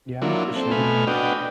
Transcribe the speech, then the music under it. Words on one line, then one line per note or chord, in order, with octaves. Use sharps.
Yeah, for sure.
F#3 A#3 D4 E4 F4
C4 A4
B2 A3 G#5 B5 F6
D4 F#4 B4 D#5 G5